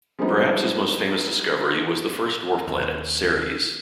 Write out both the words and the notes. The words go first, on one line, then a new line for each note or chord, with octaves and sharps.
Perhaps his most famous discovery was the first dwarf planet, Ceres.
F3 G3 G#3 B3 D#4
D#2